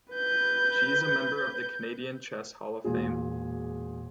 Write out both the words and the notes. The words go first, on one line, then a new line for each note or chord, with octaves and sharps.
She is a member of the Canadian Chess Hall of Fame.
B4 G6
E1 A#2 G#4